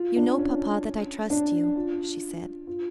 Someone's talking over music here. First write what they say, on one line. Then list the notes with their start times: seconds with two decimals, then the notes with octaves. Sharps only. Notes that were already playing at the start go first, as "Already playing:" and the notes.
"You know, papa, that I trust you," she said.
Already playing: F4
0.16 D4
0.39 C#4
1.30 D4
1.76 F4
2.67 F4